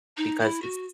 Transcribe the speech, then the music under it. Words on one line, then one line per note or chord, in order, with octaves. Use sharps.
because it's
D#4
E4
F#4